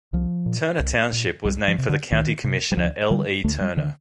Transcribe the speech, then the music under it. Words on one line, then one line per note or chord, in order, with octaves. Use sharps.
Turner Township was named for county commissioner L. E. Turner.
C2 F3
A#2
C2
A#2
C2 G3
F3
C3
D3
C2 D#3
C3
G3
D2 F3
D3 G3
D2 A3
G3
D3 D#3